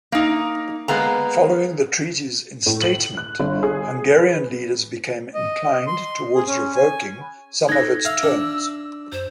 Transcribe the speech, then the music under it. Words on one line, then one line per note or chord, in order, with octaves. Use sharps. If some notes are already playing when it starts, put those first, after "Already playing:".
Following the treaty's instatement, Hungarian leaders became inclined towards revoking some of its terms.
A#3 D#4
G#3 A#3 B3 A#5
A2
F#7
F#6
G1
G#4
B4
D#5
C6
G#4
C#4
G#5
D#4 A4 F#6 G#6 A#6
E5 F5 E6
D4
F#2 C5